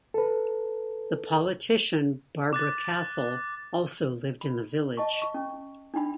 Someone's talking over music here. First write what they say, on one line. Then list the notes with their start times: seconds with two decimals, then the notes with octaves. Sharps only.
The politician Barbara Castle also lived in the village.
0.14 A4 B4
2.53 D6 F#6 A6
4.41 B5
4.97 D#5 A5 C#6
5.22 C#6
5.34 C#4
5.94 D4 D#4 G5 B5